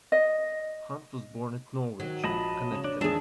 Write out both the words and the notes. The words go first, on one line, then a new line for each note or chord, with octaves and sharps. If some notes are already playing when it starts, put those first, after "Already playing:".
Hunt was born at Norwich, Connecticut.
D#5
D#3 F#3
A#1 D#5 A5 B5 A#6
C#3 C#5 E7
D4 C#5
E2 D#3 D4 G#4 E5 A5